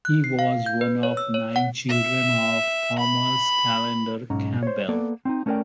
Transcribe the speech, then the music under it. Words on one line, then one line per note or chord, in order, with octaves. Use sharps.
He was one of nine children of Thomas Callender Campbell.
F#6
C7
F5
G6
B4
C#5
E6
C#5
F#5
E5
B5
B1 G#2 C#4 A#5
C5 C#5
A#3 B3 A4 D5
C4 C#4 D#4
A3 C#4 A4 A#4 D5 G5